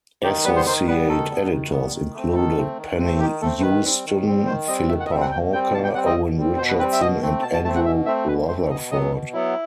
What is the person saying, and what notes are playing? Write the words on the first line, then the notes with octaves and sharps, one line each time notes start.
Associate Editors included Penny Hueston, Philippa Hawker, Owen Richardson and Andrew Rutherford.
D#3 G4
G3 B3 B4
C5
D#3 C5
G3 B3 B4
D#3 A4
G3 B3
D#3
G3 B3
D#3
A3 C4
D#3 A4
A3 C4
D#3
A3 C4
D#3 G4
A3 C4 A4
D#3 B4
G3 C4
D#3
G3 C4
D#3 C5
G3 C4 D#5
D#3 E5
F#5
D#5
G3 C4 E5
F#5
B2 G5
G3 C4 G5
B2 A5
G5
G3 C4 F#5
D#5
B2
G3 C4
B2 C5
B4
G3 C4 B4
E5
B2 D#5
A3 C4
B2 A5
A5
A3 C4 A5
F#5
B2 E5
A3 C4 E5
B2 B4
A3 C4 C5
B2 D#5
F#3 B3 D#5
B2
F#3 B3 E4